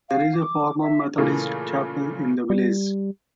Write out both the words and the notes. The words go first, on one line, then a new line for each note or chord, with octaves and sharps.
There is a former Methodist chapel in the village.
F5
D6
E5
A#2 C#3 E3 A3 A#3
G3